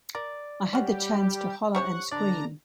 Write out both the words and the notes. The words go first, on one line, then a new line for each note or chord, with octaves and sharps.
I had the chance to holler and scream.
A#4 D5
G3 C#4 F#4 G4
G4 C5 C#5 F#5 C#6
D3 D4 D5 A#5